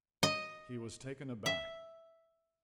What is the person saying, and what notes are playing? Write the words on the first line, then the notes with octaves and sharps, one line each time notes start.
He was taken aback.
D#5
E5